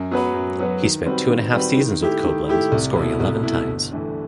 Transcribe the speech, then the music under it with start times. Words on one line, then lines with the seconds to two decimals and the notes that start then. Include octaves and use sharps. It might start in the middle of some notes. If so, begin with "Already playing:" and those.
He spent two and a half seasons with Koblenz, scoring eleven times.
Already playing: F#2
0.11 F#3 B3 F#4 B4
0.34 F#2
0.58 F#3 B3 F#4 B4
0.82 D#3
1.06 G3 C4 F#4 B4
1.30 D#3
1.53 G3 C4 F#4 B4
1.77 D#3
2.01 A3 E4 G4
2.24 D#3
2.48 A3 E4 G4
2.72 C2
2.96 B2 A3 E4
3.20 C2
3.43 B2 A3 E4
3.67 G1
3.91 G2 E3 A3